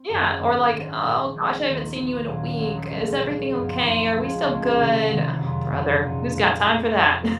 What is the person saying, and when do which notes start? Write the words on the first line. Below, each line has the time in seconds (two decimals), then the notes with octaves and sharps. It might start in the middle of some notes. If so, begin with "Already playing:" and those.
yeah, or like, "Oh gosh, I haven't seen you in a week is everything okay? Are we still good?" Ugh, brother, who's got time for that?
Already playing: C4
0.09 G#1 F#2 D#3 A#3 D#4
0.40 G#1 G#2 F#3
0.72 G#1 G#2 F#3
1.02 A#1 A#2 G#3
1.35 A#1 A#2 G#3
1.65 D#2 D#3 A#3 F4
1.96 D#2 D#3 A#3 F4
2.27 A#1 A#2 F#3 A#3 C#4
2.58 A#1 A#2 F#3 A#3 C#4
2.90 C#2 C#3 G#3
3.21 C#2 C#3 G#3
3.52 F#2 F3 C4 D#4
3.84 F#2 F3 C4 D#4
4.14 C#2 C#3 G#3 C#4 F4
4.46 C#2 C#3 G#3 C#4 F4
4.77 C2 C3 D#3 F#3 A#3
5.09 C2 C3 D#3 F#3 A#3
5.40 F#1 F2 C3 F#3
5.71 F#1 F2 C3 F#3
6.02 C2 A#2 G#3 D#4
6.33 C2 A#2 G#3 D#4
6.65 F1 F2 C3
6.95 F1 F2 C3